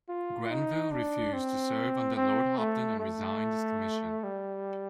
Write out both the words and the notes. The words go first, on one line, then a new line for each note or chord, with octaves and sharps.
Grenville refused to serve under Lord Hopton and resigned his commission.
F4
D#4
D4
C4
C4
A3
A3
G3